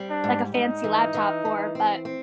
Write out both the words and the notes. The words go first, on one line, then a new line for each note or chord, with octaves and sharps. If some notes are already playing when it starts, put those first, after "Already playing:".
like, a fancy laptop for, but.
Already playing: G3 C4
D4
G#2
G#2 D#4
E3
E3
E3
C4
C4